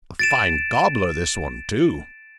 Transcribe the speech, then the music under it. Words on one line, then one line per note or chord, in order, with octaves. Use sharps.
"A fine gobbler this one, too!"
A6 D7 E7